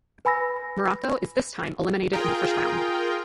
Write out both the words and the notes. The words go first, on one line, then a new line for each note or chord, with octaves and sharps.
Morocco is this time eliminated in the first round.
B4 G#5 B5 E6 A#6
F4 G#4 A#4 G5